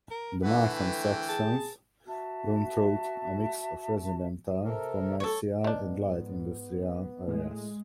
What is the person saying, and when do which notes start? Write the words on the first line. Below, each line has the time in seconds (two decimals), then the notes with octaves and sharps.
The Markham sections run through a mix of residential, commercial and light industrial areas.
0.11 A#4
0.43 D3 E3 A3 B4 F#5
0.75 G5
1.29 G#4 A5
2.05 F#4 E5 A5
4.65 C3 A4 A#4
5.20 A4 C#5
5.64 G#2 D#3 B3 D4
7.28 A2 G#3